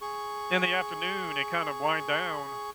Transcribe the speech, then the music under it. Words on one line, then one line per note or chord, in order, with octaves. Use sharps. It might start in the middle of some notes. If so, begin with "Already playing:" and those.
in the afternoon and kind of wind down
G#4 C#6